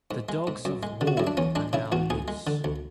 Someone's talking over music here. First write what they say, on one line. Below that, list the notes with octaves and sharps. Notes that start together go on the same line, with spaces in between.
The dogs of war are now loose.
G#2
G#3
G#2
F#2
G#3
D3
F#4
F#2 E4
D4
E2 C#4
G#3 D4
C#3 E4
E2 F#4
D2 G#4
G#3
D3
D2